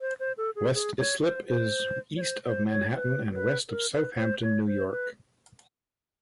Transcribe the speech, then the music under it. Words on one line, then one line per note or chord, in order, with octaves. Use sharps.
West Islip is east of Manhattan and west of Southampton, New York.
C5
C5
A4
G#4
G#4
C#5
C5
C5
C#5
C5
C5
C#5
B4
B4
A#4
B4
C5
C#5
C5
B4